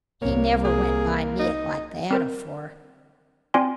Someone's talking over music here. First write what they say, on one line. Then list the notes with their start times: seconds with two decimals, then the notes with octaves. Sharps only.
He never went by me like that afore.
0.22 C2 A#3 C#5
0.65 G#4
1.39 D#4
2.11 C4 A#4 C5
3.54 C4 F4 D5 G5 G#5 C6